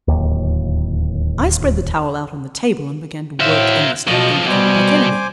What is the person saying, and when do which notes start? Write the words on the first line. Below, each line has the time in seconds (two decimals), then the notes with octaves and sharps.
I spread the towel out on the table and began to work in the stuff indicated by Kennedy.
0.08 D1 D#2
3.40 A2 F#4 C5 E5 F5
4.07 B1 B2 F3 D#5 A5 C#6
4.47 B2 G3 C5 G#5 D6